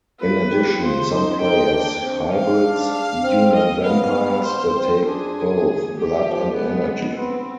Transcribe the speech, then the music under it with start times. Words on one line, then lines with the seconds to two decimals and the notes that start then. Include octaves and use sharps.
In addition, some play as hybrids, human vampires that take both blood and energy.
0.21 F4 B4
0.51 G4
0.81 F4 C5
1.12 D#4
1.41 D#4 G5
1.72 D4
2.03 C4
2.32 C4 F5
2.63 D4
2.93 F5
3.24 C4
3.54 D#5
3.84 B3 F5
4.45 C5
4.75 C4
5.05 D4 G#4
5.96 G4
6.26 F3
6.56 G#3 B3
7.17 B3 C4